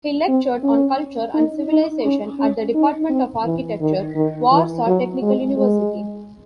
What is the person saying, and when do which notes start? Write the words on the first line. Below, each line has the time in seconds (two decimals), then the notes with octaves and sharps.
He lectured on culture and civilization at the Department of Architecture, Warsaw Technical University.
0.28 C4
0.64 C#4
1.34 D#4
1.69 D#4
2.05 C#4
2.39 C#4
2.75 D#4
3.10 C4
3.45 E3
3.81 D#3
4.16 D#3
4.51 E3
4.87 F#3
5.22 G#3
5.57 G#3